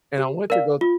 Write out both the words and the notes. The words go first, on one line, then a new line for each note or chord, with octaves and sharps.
and I went to go
G4
A#4 D5 F5
F4